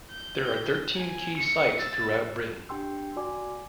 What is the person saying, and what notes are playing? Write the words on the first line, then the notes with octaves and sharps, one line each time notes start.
There are thirteen key sites throughout Britain.
G6
G#5
C#7
E6 A6
D4 G4 G5 C6 E6
F#4 D5 G#5 D6